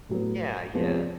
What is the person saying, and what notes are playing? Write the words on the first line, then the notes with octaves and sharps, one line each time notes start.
Yeah. Yeah.
A2 F#3 B3
E2 C3 F3 G#3 B4
C#5
D5